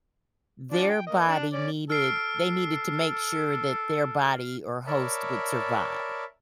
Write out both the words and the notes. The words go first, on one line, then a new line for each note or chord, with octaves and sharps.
their body needed they needed to make sure that their body or host would survive
F3 D4 D5
G5
A#3 D#5
D4 D5
C#4 D5
A4 F6 C7 D7
A#4 C#5 D5 E5 A5 B5